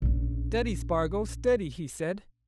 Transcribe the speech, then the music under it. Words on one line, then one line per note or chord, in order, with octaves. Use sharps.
"Steady, Spargo, steady!" he said.
A#1 C#4